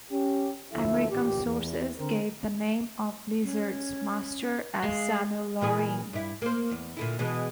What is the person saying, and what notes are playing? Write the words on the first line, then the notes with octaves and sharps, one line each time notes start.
American sources gave the name of "Lizard"s master as Samuel Loring.
C#4 G4
D2 F3 E4 A4 E5
A1 A#2 G4
E2
D3 C4 A#4
C#4
G#3 F5
A#2 E3 G#4
G2 E4
A#3 C5
E2
A#2 D3 E4
B2 E3 G#3